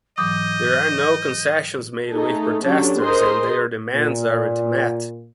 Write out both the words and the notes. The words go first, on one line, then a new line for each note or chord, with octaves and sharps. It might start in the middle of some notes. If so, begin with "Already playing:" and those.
There are no concessions made with protesters and their demands aren’t met.
G#2 E3 F#3 D#5 D6 D#6 G6
A3 D#4 G#4 A4
F#3 C#4 D4 G4 A4
G#4 A#4 C5 D#5 C6
A#2